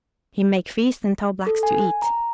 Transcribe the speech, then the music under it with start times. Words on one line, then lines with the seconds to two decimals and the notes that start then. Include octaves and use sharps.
He make feast and tell Blacks to eat.
1.47 A4
1.63 G#5
2.02 A#5